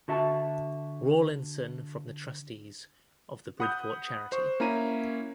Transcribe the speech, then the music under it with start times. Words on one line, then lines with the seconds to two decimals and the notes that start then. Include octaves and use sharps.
Rawlinson from the trustees of the Bridport Charity.
0.08 D3 F#4 E5 A5
3.60 F#5 B5 D#6 F#6 G6
4.32 C5 C#6
4.60 A#3 C#4 E4 A#5 D#7